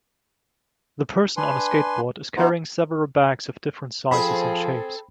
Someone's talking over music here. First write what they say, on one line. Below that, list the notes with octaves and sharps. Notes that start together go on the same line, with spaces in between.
The person on a skateboard is carrying several bags of different sizes and shapes.
D4 B4 G#5 C6
B3 D#4 E4 F#4 C5
F3 C4 G#4 A4 B5